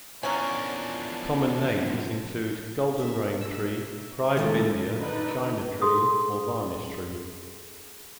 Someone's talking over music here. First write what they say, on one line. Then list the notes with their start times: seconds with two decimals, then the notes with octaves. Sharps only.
Common names include goldenrain tree, pride of India, China tree, or varnish tree.
0.23 E2 D3 F3 F#3 C#4 F4 A#4
2.98 A#4 E5
3.41 E6
4.37 A2 D#3 F3 G#3 A4
4.97 D3 D#4 B4
5.82 G#4 A4 C6 D#6